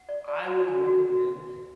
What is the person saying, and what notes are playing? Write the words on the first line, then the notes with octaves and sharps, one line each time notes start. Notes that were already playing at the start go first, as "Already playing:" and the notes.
I would recommend
Already playing: F#5
D5
D5
F#4
G#5
F#4